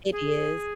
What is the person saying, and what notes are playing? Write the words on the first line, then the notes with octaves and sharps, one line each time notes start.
It is.
G#4